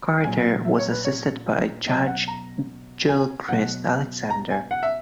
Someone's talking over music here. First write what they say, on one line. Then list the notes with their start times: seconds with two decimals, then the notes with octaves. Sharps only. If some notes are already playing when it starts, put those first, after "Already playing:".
Carter was assisted by Judge Gilchrist Alexander.
0.24 A#2 F#3 G#5
0.65 E5
0.79 C#5
0.91 B4
1.05 C#5
1.86 B2 F#3 D#5
2.07 F#5
2.28 A#5
3.08 G#5
3.48 B2 F#3 F#5
4.30 A#5
4.51 G#5
4.71 F#5
4.83 E5